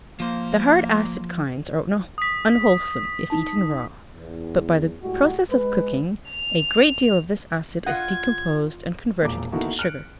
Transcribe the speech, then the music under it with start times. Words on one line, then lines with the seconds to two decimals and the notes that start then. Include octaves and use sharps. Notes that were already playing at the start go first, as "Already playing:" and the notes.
The hard acid kinds are unwholesome if eaten raw; but by the process of cooking, a great deal of this acid is decomposed and converted into sugar.
0.20 F3 A#3 C5
2.18 D#6 B6
3.30 D#4 A5
4.15 E2
5.02 A2 G3 G#3 F#4
5.50 G#3 B4
6.30 F7
7.87 F4 D#5 F#5 G#6
9.22 E1 A#2 D6
9.52 A#3 B3 D#4 E4 F#4 A4
9.79 F6 F#6 C#7 D7